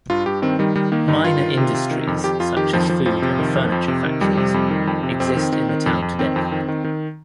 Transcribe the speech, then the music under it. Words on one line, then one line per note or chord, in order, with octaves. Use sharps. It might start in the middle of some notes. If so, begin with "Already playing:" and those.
Minor industries, such as food and furniture factories, exist in the town today.
G2 F4
G2 G4
D#3 C4
D#3 G3
D#3 G3
D#3 A#3
G2 D#4
D#3 F4
D#3
C3
C3
D#3
F2
F2 G4
F2 F4
D#3 G4
F2 F3
F2 F3
F2 F3
C3
D#3
F2
F2
C3
D#3
F2 G3
C3
F2
D#3
F2
C3
F2 C4
D#3
D#3
D#3
F2
F2
D#3 C4
F2
D#3
D#3
D#3